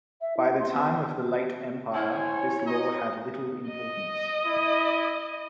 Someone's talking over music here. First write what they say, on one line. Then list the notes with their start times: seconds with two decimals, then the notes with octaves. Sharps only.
By the time of the late empire, this law had little importance.
0.21 E5
0.37 E4
0.59 C6
0.74 B3
1.95 E4 C5 C#5 G#5
2.67 B4 D#5 A#5
3.68 D#5
4.46 E4